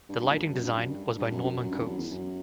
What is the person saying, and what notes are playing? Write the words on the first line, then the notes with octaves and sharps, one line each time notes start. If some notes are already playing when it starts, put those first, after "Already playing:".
The Lighting Design was by Norman Coates.
G2
G2
A#2
G2
F#2
G2
F#2
G2
G2
F#2
F#2
F#2
G2
E2
F#2
E2
F#2